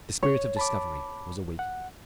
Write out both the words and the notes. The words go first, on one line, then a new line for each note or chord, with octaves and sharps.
The spirit of discovery was awakened.
C#5
A5 B5 D6
F#5